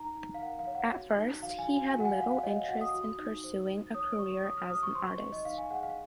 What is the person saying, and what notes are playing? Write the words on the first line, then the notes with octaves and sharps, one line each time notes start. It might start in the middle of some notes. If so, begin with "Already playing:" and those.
At first, he had little interest in pursuing a career as an artist.
Already playing: D#4 A#5
D#4
F5
A#4 F#5
F5
C#5
F#5
F#4
D#4
F#4 F5
G#5
F#4
G#5
F#4 G#5
F#5
G#5
F5
F#4 F#5
F5
C#5 D#5
F5
F#4 F#5
D#6
F#4
D#4
C5
D#4
C#5 D#6
F#4 C#6
C#5 D#6
F6
F#4 D#6
C#6
C5 C6
C#6
D#4
D#5
D#4 F5
G#5
G#4 F#5
F5